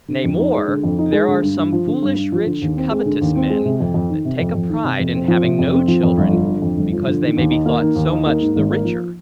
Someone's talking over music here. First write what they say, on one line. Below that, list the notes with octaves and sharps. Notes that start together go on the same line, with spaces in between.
Nay more, there are some foolish rich covetous men, that take a pride, in having no children, because they may be thought so much the richer.
D3
F2
D#4
G#3
D3
F2
D#4
G#3
D3
G2
G2
F3
D3
G2
G2
F3
D3
D#2
C4
G#3
D3
D#2
C4
G#3
C3
F2
F2
D#3
C3
F2
F2
D#3
C3
F2
C4
F3
C3
F2
C4
F3
F2
G1
F3
D3
F2
G1
F3
D3
D#3
D#2
D#4
A#3
D#3
D#2
D#4
A#3
G#2
G#1
A#3
F3